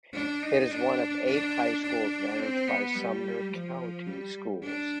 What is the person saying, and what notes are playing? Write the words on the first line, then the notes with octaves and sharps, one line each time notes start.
It is one of eight high schools managed by Sumner County Schools.
D4
D#4
D4
D4
D4
C4
B3
G3
F3
G3
D4